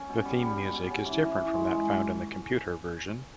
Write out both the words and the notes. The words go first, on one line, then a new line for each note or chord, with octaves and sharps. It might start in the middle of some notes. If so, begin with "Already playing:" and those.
The theme music is different from that found in the computer version.
Already playing: C#4
B2
G3
G3
G3
B2
C#4
E3
E3
E3
G#3
G#3